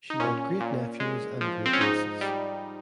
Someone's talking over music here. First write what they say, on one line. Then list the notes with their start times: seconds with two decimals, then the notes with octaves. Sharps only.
She had great-nephews and great-nieces.
0.10 D#4
0.20 A#2 C#4
0.60 A#2
1.00 G#3
1.41 F3
1.66 C4
1.73 C#4
1.80 G#2 D#4
2.21 G3